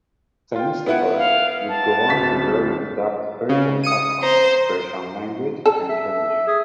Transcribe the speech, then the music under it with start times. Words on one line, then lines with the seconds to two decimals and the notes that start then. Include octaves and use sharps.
Themistocles would go on to learn and adopt Persian customs, Persian language, and traditions.
0.56 F4 G5
0.86 B3 E4 F#5
1.17 F5
1.69 A5
2.08 D1 B6
3.49 C#3
3.83 D#6 C#7 D#7
4.23 C5 A#5
5.66 A4
5.89 E5
6.47 G#4